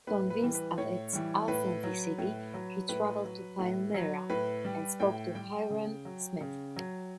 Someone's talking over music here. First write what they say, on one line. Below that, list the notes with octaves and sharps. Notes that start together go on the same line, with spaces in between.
Convinced of its authenticity, he traveled to Palmyra, and spoke to Hyrum Smith.
A2 B4
B4
E3 G3
B4
A2 C#5
E3 G3
A2 B4
F#3
A2
F#3
A2 B4
F#3
A2
F#3
A2 B4
G3
A2 G5
G3 G5
C#3
F#3
C#3
F#3